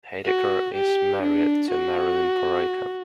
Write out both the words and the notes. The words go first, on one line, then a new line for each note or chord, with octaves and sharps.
Heidecker is married to Marilyn Porayko.
F#4
G4
D4
F#4